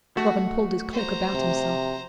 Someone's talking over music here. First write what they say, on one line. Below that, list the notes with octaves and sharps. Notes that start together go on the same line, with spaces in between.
Robin pulled his cloak about himself.
A3 F#4
C5 A#5
C3